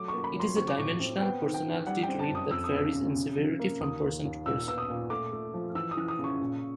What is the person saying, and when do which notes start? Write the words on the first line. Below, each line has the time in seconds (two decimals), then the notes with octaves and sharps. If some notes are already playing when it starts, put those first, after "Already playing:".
It is a dimensional personality trait that varies in severity from person to person.
Already playing: F#3 A3 D6
0.08 A#3 C#6
0.24 B5
0.35 F#3 C6
0.56 C4 C#6
0.68 D6
0.78 A2 C#6
1.00 C4
1.21 B3 G5
1.43 D#3
1.54 G5
1.65 D#3
1.86 G3 F#5
2.03 G5
2.08 C4
2.19 A5
2.29 F#2
2.35 D#6
2.50 F2 E6
2.64 D#6
2.73 C#3 E6
2.95 C#3
3.16 C3
3.37 F3
3.59 A#3
3.80 D#2 D#6
4.02 D#2
4.25 D#2
4.46 A#2 E6
4.67 B3 E6
4.78 D#6
4.89 A#2
5.10 A3 D6
5.32 A3
5.54 F3
5.75 E3 E6
5.91 D#6
5.97 E3
6.08 D#6
6.19 C#3
6.24 C#6
6.41 A#2